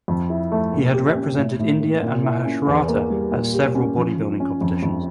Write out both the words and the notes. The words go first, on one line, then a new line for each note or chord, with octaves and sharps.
He had represented India and Maharashtra at several bodybuilding competitions.
F2
E4
A3
A#2
G4
C#4
A2
A2
A#3
A#2
E4
C#4
E2
A#3
G3
A#2
G4
C#4
F3
F3
C#4
F2
F2